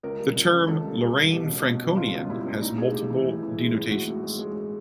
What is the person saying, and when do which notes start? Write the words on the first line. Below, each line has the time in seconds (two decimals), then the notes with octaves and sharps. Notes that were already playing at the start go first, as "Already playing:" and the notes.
The term "Lorraine Franconian" has multiple denotations.
0.03 C#2 A#4
0.19 G3
0.36 C#2
0.52 C#2
0.68 C#2 A4
0.85 G3
1.00 G3 G4
1.16 G3
1.32 B2 G4
1.49 C#2
1.65 B2
1.81 C#2
1.97 C#2 F4
2.14 C#2
2.30 G3 E4
2.46 C#2
2.62 A2 D#4
2.78 A2 G#4
2.94 A2 G4
3.10 E3
3.26 A2
3.43 E3
3.59 G#3
3.75 A2
3.91 A2 F#4
4.08 A2
4.23 G#3
4.39 G#3
4.56 G#3